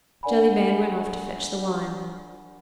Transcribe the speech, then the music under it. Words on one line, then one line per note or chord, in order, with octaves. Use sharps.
Jellyband went off to fetch the wine.
D4 A#4 D5 F#5 G#5 B5